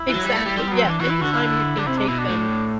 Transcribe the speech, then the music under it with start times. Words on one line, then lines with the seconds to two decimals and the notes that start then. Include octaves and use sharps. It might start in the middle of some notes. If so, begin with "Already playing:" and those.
Exactly, yeah. Anytime you can take them,
Already playing: E4
0.09 E3
0.14 F#3
0.24 G3
0.36 A3
0.46 G3
0.57 G3 C4
0.68 F#3 B3
0.79 C4
0.86 E3 D4
1.00 E3 F#4
1.10 E4
1.21 D3 F#4
1.32 E4
1.77 D3 D4
1.86 C3 E4
1.97 D4
2.07 B2 E4
2.18 D4
2.29 A2